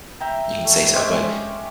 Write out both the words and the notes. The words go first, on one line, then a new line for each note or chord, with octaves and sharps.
you can say so, but
E5 G5 A#5
A3
G#3 C#4 G4 E5